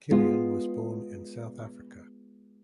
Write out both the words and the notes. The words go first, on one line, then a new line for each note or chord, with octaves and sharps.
Kilian was born in South Africa.
G#3 B3 F4